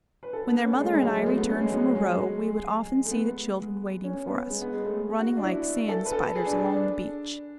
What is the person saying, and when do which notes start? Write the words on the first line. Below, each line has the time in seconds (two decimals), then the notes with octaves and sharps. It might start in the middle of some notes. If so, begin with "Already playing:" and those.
When their mother and I returned from a row, we would often see the children waiting for us, running like sand-spiders along the beach.
0.23 B4
0.33 A4
0.49 B3
0.65 C#4
0.73 A3
0.80 G#3
0.92 G#3
1.03 F#3
1.15 G#3
1.26 A3
1.37 B3
1.49 C#4
1.61 G#3
1.72 F#3
1.95 G#3
3.05 A3
3.11 B3
4.04 C#4
4.27 B3
4.50 G#3
4.61 B3
4.73 G#3
4.85 A3
5.19 F#4
5.37 D4
5.43 E4
5.89 A4
6.06 B4
6.12 A4
6.35 G#4
6.46 D4
6.59 D4
6.70 D4